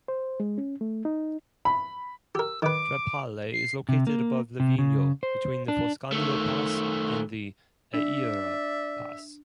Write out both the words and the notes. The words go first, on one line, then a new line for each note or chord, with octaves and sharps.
Trepalle is located above Livigno between the Foscagno Pass and the Eira Pass.
C5
G#3
C#4
A3
D#4
B5
G4 A#4 E6
D#3 B4 D6
C7
C3
A#3
C3
C#3
C5
D4
D#3 A3
D4 D5 E5